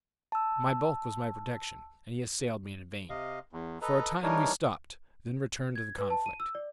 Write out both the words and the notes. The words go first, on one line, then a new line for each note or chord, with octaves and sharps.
My bulk was my protection, and he assailed me in vain. For a time we stopped, then returned to the conflict.
A5 E6
C3 D#5 F5
E2
A4 B4 D#5 A#5
E3 G3 D4 D#4 A#4 C#5
G#6
B4
A5
D#7
E6
D5